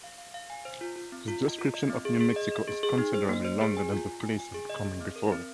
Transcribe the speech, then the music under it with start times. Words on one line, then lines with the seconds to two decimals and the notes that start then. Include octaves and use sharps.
His description of New Mexico is considerably longer than the places coming before it.
0.04 F5
0.18 F5
0.34 F5
0.50 G#5
0.65 C5
0.81 F4
0.96 F4
1.12 C4
1.28 F4
1.43 D#5
1.59 F4
1.75 D#5
1.90 C4
2.05 G#4
2.21 G#4
2.36 D#5
2.52 D#5
2.67 G#4
2.83 G#4
2.98 D#4
3.14 C5
3.29 A#3
3.45 C5
3.61 G#4
3.77 G#5
3.92 F4
4.07 F4
4.23 G#5
4.38 G#5
4.54 G#4
4.70 D#5
4.85 G#4
5.01 C4
5.16 A#4
5.32 C4